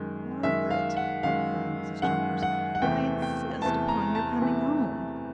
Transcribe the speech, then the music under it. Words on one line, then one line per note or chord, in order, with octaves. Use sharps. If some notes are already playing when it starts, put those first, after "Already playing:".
"Margaret," groaned Mrs. Chalmers, "I insist upon your coming home."
Already playing: F#2 D#3 G#3
F#2 D#3 G#3 E5
F5
F#5
F#2 D#3 G#3 F5
F#2 D#3 G#3 F#5
F#5
F#5
E2 C3 E3 A3 G5
G5
E2 C3 E3 A3 A5
A#5
A5
E2 C3 E3 A3